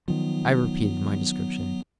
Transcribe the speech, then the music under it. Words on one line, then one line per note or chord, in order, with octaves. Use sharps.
I repeated my description.
D#3 F3 F#3 B3